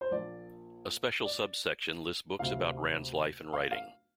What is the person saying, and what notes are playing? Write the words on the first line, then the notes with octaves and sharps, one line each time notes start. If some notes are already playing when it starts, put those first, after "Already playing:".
A special subsection lists books about Rand's life and writing.
C5
A#1 A#2 D5
D5
D2 C3 F5
F5
F5